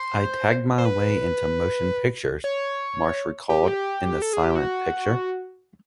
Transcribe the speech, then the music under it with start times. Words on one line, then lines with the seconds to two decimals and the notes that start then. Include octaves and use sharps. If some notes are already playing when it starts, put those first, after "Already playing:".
"I tagged my way into motion pictures," Marsh recalled in "The Silent Picture".
Already playing: C5
0.78 C5
0.85 B4
2.44 C#5
3.50 G4
4.22 A4
4.33 G#4
4.44 G4
4.55 F#4